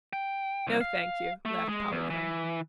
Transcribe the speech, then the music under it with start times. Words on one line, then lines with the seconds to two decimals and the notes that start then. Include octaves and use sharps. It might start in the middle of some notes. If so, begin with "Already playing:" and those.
"No, thank you," laughed Polychrome.
0.13 G5
0.67 C2
0.81 F5
1.45 A3
1.69 G#3
1.92 E2
2.10 E3